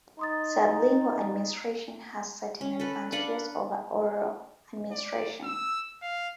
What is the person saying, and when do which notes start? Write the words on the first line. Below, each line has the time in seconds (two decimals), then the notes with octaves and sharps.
Sublingual administration has certain advantages over oral administration.
0.19 D#4 C6 D#6 A6
2.61 C#4
2.80 A4 B4
3.12 D4 B4 F5 F#5
4.91 D5
5.43 E6
6.02 F5